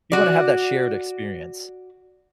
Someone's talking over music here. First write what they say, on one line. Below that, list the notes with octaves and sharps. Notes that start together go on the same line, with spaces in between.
You wanna have that shared experience.
F#4 D5